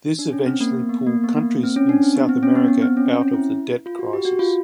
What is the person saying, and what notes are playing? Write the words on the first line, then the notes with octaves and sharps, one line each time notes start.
This eventually pulled countries in South America out of the debt crisis.
D4
C#4
C4
A#3
B3
B3
A#3
B3
A#3
C4
C#4
D4
C4
B3
C4
C#4
B3
B3
C4
C#4
C4
C#4
E4
F4
F#4
G4
F#4
F4